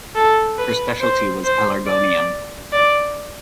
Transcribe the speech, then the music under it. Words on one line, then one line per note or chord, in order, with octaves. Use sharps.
Her specialty was pelargonium.
A4
B4
C5
C5
D5
D5